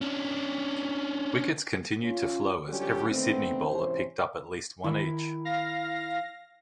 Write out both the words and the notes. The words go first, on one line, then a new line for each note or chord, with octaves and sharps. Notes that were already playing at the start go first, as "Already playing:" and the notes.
Wickets continued to flow as every Sydney bowler picked up at least one each.
C#4 D4
C#4 F4
D3 F#3 G3 C#4 F4 G4
D3 D#3 A3 B3 C4
G#2 C3 E3 C#4 C5
D#3 E4 A#5
F5 A#6